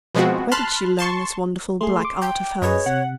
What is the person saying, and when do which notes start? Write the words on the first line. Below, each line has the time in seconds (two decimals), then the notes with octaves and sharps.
"Where did she learn this wonderful black art of hers?"
0.15 B2 F3 G#3 B3 C4 F#4
0.52 A5 B5 C6 F6 F#6
0.99 A5 C6 C#6
1.81 A3 G#4 C6
2.05 D6
2.22 G5
2.62 F#2 G#4 B4 C#5 D#5
2.86 C3 F#5